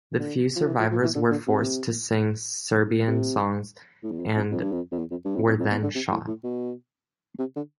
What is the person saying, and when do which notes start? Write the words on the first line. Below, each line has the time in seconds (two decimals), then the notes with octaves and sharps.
The few survivors were forced to sing Serbian songs, and were then shot.
0.19 D3
0.56 F3
0.67 E3
0.79 F3
0.91 F3
1.04 E3
1.15 D3
1.31 D3
1.47 C3
3.08 C3
4.03 A2
4.11 E2
4.19 F2
4.36 F2
4.51 F2
4.62 G2
4.72 F2
4.92 F2
4.99 E2
5.11 F2
5.25 G2
5.36 F2
5.47 F2
5.60 F2
5.71 E2
5.83 D3
5.95 C3
6.12 A2
6.27 A2
6.44 B2
7.39 C3
7.56 D3